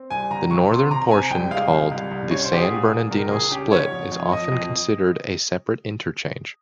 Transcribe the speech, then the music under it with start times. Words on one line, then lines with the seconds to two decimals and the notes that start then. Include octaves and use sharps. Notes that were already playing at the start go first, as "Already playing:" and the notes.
The northern portion, called the San Bernardino Split, is often considered a separate interchange.
Already playing: C4
0.10 C2 G#5
0.31 C#2 A#5
0.51 C#2 C#6
0.71 C3 C6
0.91 C3 A#5
1.11 C4 G#5
1.31 C2 G5
1.51 G#3 F5
1.71 C#2
1.91 C2
2.11 C2
2.31 C#4 C#5
2.45 C5
2.51 G#2 G4
2.58 G#4
2.71 A#2
2.91 A#2
3.11 C#2 A#4
3.31 C#2 G#4
3.51 C#4 G4
3.71 G#2 C#5
3.91 F2
4.12 F2
4.31 F2 D#5
4.52 F2